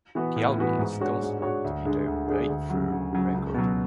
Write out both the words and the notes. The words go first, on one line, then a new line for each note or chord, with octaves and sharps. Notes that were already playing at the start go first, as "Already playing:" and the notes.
The album is considered to be their breakthrough record.
E3 B3 F#4 B4
A2
E3 B3 F#4 B4
G#2
G#3 D4 F#4 C#5
G#2
G#3 D4 F#4 C#5
D2
D3 G#3 D4 G#4
D2
D3 G#3 D4 G#4
D2
C#3 F#3
D2
C#3 F#3
C#2
B2 F#3